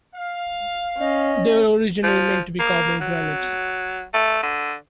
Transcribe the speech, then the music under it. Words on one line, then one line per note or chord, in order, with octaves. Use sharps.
They were originally meant to be carved in granite.
F5
C#4 D#5
F3
A#3
F#3
A3
D3